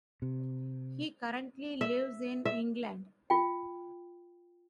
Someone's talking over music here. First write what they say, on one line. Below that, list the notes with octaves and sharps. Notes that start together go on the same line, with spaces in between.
He currently lives in England.
C3
E5
E5
F4 G5